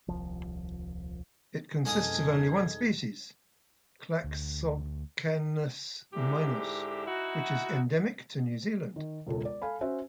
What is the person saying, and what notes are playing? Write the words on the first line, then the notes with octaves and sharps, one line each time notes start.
It consists of only one species, Cladoxycanus minos, which is endemic to New Zealand.
D#1 C2 F3
F2 B2 G#3 D#4 A4 F5 D#6 G#6
D2
G#2 D3 E4 G4
D#4 E4 F#4
D#3
E1 C#2 A4
D5
A4 F5 G#5 B5
C#4 F#4 C5 E5